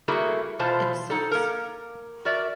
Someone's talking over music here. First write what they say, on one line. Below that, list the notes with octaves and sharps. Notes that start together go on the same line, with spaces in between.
It sucks.
G3 A3 A#3 E4 F#4 G#4
B2 E3 F4 C5 A5
D#4 A4
A#3 A#4
F#4 A#4 D5 E5